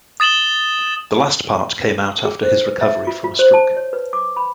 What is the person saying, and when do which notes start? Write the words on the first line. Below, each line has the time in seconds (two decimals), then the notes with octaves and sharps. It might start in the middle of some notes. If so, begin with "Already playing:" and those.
The last part came out after his recovery from a stroke.
0.20 D#6 A6 E7 F#7 G7
2.25 G#4
2.43 C5
2.65 B4
2.81 E5
3.07 F4
3.24 F4
3.39 C5
3.54 A5
3.77 C#5
3.93 B4
4.13 D6
4.36 B5